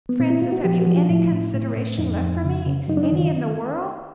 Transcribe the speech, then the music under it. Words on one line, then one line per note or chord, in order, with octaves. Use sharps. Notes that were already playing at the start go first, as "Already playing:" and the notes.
"Francis, have you any consideration left for me--any in the world?"
B3
A#2 C4
E4
A#2 F4
F#4
F3 G4
F#4
F3
F4
A2 E4
A2
A2
A2
F2 D#4
F2
C#3
C#3
F#2 D#4
D4
D#4
D#3
F4